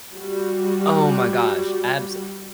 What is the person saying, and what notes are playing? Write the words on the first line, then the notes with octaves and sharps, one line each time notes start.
Oh, my gosh, abs
G3 F#4